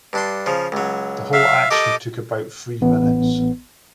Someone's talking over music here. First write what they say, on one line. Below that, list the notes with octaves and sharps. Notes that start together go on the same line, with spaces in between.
The whole action took about three minutes.
G2 D4 C6
C#3 F3
C#2 F#3
F#3 E5 F5
G4 A4 A#4 D#5 D6
A1 B3